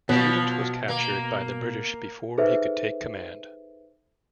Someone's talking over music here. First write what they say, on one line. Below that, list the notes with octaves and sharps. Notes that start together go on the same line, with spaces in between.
Student was captured by the British before he could take command.
B2 F3 F#3
A#3
D#4 G#4 A4 B4 C5 E5